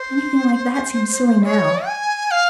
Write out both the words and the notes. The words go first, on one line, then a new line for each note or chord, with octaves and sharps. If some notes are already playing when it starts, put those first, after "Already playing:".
Anything like that seems silly NOW.
Already playing: C5
E5
C#5
G#5
F5